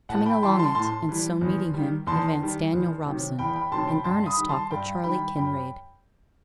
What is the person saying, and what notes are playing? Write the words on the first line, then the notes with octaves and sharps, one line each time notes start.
Coming along it, and so meeting him, advanced Daniel Robson, in earnest talk with Charley Kinraid.
A2 F#5 A5
G5 B5
E3 G3 A5 C6
A5 C6
A2 A5 C6
E3 G3
E2
D#3 G3
E2 A5 C6
D#3 G3
E2
C3 D#3 F#3
E2 G5 B5
G5 B5
C3 D#3 F#3 A5 C6
G5 B5
G2 A5 C6
B5 D#6
D#3 G3
A5 C6
G2 G5 B5
D#3 G3 G5 B5
F#2 G5 B5